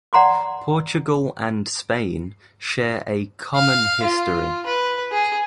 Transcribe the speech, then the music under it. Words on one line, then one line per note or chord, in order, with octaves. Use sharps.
Portugal and Spain share a common history.
D5 F#5 A#5 C6 D6
F5
F4
B4
G#4